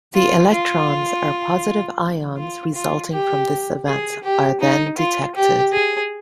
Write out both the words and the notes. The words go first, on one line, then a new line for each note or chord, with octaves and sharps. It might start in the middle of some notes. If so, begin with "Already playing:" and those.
The electrons or positive ions resulting from this event are then detected.
F4
F4
F4
F4
G4
G#4
G4
D#4
F4
G4
G#4